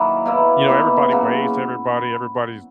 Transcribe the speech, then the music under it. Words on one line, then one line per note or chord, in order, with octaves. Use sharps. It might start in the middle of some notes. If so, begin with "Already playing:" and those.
you know, everybody waves to everybody, everybody's
Already playing: D#3 F#3 A#3 E4
B2 A#3 E4
B2 A#3 E4
C#3 F#3 A#3